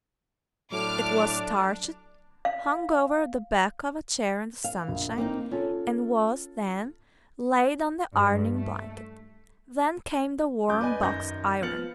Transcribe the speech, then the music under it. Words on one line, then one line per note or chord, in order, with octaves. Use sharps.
It was starched, hung over the back of a chair in the sunshine, and was then laid on the ironing-blanket; then came the warm box-iron.
A2 F#3 D4 D6 F6
F5
F5
A#1
A#3 C4 D#4
C#4 F4 A4
G2
A3
D#1 C#4 D6 G6
B4 D5 D#5 G#5
F#2 D#3 D#4 G6 A#6 G7
F3 B3 F6 A6 C#7 F#7